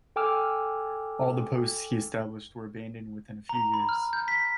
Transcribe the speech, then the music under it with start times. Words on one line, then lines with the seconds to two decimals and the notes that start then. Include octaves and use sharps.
All the posts he established were abandoned within a few years.
0.16 A4 G5 G#5 D6 E6 F6
3.49 A#5
3.74 B5
3.89 F6
4.13 G6
4.28 B6